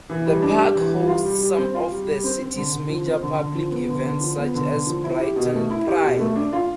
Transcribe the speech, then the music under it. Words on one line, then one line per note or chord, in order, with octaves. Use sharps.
The park hosts some of the city's major public events such as Brighton Pride.
E3
G3
D4
G4
E3
G3
F4
G3
G3
C4
F4
G3
G3
C4
C4
D3
D3
F3
C4
D3
D3
F3
B3
D3
D3
F3
B3
D3
D3
F3
E4
G4
B2
A3
E4
G4
B2
A3
D4
F4